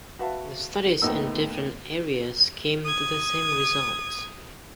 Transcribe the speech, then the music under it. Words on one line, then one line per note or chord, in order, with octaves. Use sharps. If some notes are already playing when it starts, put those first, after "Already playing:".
The studies in different areas came to the same results.
F#4 B4 E5 F5 A5
D#2 A2 B3 D#4 A#4 E6
D#6 G#6